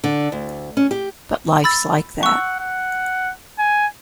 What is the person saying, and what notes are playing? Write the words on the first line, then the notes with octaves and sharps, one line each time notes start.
But life's like that.
D3
D2
C#4
G4
B5 E6 A6
F#5 C#6 E6
F#5
G#5